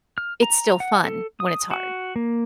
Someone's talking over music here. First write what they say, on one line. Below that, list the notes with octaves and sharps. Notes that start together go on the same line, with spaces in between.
it's still fun when it's hard.
F6
A#5
F#5
A4
D#6
F#4
A#3